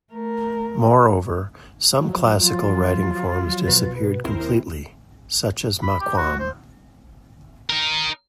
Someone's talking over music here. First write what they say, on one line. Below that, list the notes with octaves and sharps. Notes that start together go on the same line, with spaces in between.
Moreover, some classical writing forms disappeared completely, such as Maqam.
A3 A#4
F3 F#3
F4
B2 B4
D#2 C4 E4 A#4 C5
B5
G4
F#4
C5
D#4 A#4